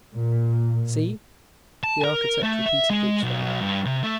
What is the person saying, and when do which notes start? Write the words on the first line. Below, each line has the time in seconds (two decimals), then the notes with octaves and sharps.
"See?" The architect repeated the experiment.
0.15 A#2
1.84 A5
2.04 A#4
2.43 A3
2.66 E5
2.90 G#3
3.24 B1
3.63 G2
3.86 C3
4.04 A3